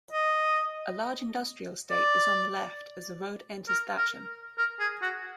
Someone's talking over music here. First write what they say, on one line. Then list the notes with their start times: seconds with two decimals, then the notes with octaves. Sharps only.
A large industrial estate is on the left as the road enters Thatcham.
0.12 D#5
1.91 D5
3.68 A#4
3.98 A#4
4.58 A#4
4.80 G#4
5.02 F#4